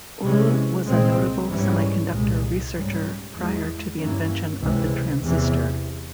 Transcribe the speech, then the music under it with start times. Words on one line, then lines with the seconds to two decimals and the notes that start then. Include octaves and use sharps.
Ohl was a notable semiconductor researcher prior to the invention of the transistor.
0.23 C3 E3 G#3 C#4
0.85 C2 A#2 G#3 C4
1.48 G#2 E3 G3 C#4
2.10 C2 A#2 G#3
2.73 G#2 G3 C#4
3.35 E2 E3 G#3
3.98 G2 E3 A#3 C#4
4.61 C#2 C3 E3
5.23 E2 C3 E3